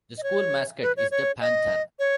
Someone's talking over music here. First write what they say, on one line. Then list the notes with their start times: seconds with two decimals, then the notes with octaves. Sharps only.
The school mascot is the panther.
0.18 D#5
0.23 C#5
0.82 B4
0.97 C#5
1.11 C#5
1.41 D#5
1.99 C#5